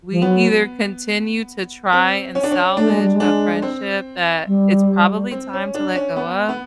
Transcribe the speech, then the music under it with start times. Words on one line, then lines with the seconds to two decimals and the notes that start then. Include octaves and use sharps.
we either continue to try and salvage a friendship that it's probably time to let go of,
0.11 F3
0.22 F#3 B3
1.93 C4
2.35 C#4
2.43 D4
2.51 C#4
2.77 A3 D4
2.90 G#3
3.03 G3
3.15 G#3
3.20 D4
3.62 C4
4.47 G3
5.31 C4
5.53 C#4
5.74 D4
5.96 C#4
6.16 B3
6.49 B3